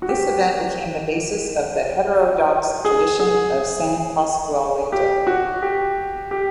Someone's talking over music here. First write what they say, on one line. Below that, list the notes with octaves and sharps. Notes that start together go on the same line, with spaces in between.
This event became the basis of the heterodox tradition of San Pascualito.
F#4
G4
G#4
G#4
G4
F#4
G4
G4